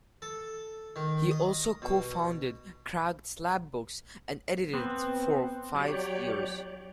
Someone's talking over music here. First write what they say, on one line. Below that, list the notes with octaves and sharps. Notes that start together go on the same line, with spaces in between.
He also co-founded Cracked Slab Books and edited it for five years.
A4
D#3
D#5
B2
B3 C4
F#3 G4 C#5 D5